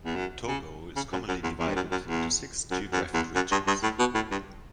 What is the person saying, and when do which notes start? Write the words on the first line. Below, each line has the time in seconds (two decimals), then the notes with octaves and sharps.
Togo is commonly divided into six geographic regions.
0.05 E2
0.16 F#2
0.47 C#3
0.96 C#3
1.12 F#2
1.28 F#2
1.44 E2
1.60 E2
1.68 G2
1.76 F#2
1.92 F#2
2.08 E2
2.71 F#2
2.93 F#2
3.14 E2
3.35 F#2
3.52 G2
3.67 G2
3.83 A2
3.99 B2
4.15 A2
4.31 G2